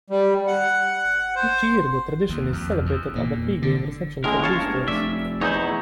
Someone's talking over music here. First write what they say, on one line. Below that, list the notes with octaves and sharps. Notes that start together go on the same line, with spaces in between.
Each year the tradition is celebrated at a pre-game reception for boosters.
G3
F#5
C5
D#2
F2
E2
A#2
D3
C#2 A2 G#3 A#3 A#4
C#5 F5 A5
G2
F1 D5 E5
E2 D#4 E4 C5 C#5